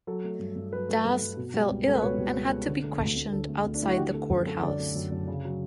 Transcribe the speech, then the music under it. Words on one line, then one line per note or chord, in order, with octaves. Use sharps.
Das fell ill and had to be questioned outside the courthouse.
F#3 A4
A3
G2
G2
F#3 B4
A3
G2
G2
B2
G3
C#2
C#2 A4
B4
B2 C#5
G3
C#2
C#2
D3
A3
D2
D2
D3 A4
A3
D2
D4
D2 E4
F#4
D3 G4
A3 A4
F#2
F#2 A4
D3 D5
A3
F#2
F#2
C#3
F#3